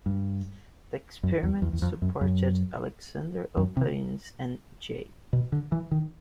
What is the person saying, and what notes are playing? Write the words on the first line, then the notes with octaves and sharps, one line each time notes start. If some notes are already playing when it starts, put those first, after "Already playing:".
The experiment supported Alexander Oparin's and J.
G2
F#2
E2
E2
E2
F2
F#2
F#2
F#2
C3
B2
D3
E3
D#3